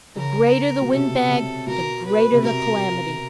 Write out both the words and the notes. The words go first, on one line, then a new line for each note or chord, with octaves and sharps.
The greater the wind-bag the greater the calamity.
C#3 A#4
B2
C3 A4
C3
B2 A#4
B4
C3
B2 A#4